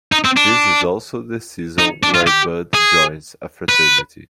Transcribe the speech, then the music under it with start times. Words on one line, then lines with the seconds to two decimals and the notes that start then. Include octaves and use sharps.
This is also the season where Bud joins a fraternity.
0.12 D#4
0.25 C4
0.37 D4
1.79 D#4
2.03 D4
2.15 F4
2.27 G4
2.74 G#4
3.69 B4